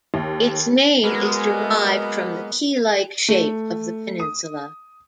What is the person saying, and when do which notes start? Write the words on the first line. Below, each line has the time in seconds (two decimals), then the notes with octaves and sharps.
Its name is derived from the key-like shape of the peninsula.
0.14 D#2
1.04 F#3 G#3 A#3 B3
3.29 A3
4.20 D#6